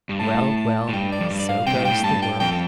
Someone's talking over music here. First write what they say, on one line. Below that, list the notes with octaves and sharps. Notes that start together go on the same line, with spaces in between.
Well, well! so goes the world!'
G2
A2 A5
A5
A2
G2 G5
D5
F2
G2
D5
F5
C3 G5
A2
G2
A2 G5
G2 A5
G5
F2 G5
A4